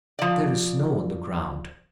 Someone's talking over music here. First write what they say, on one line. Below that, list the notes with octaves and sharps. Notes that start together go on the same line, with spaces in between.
There is snow on the ground.
F3 D5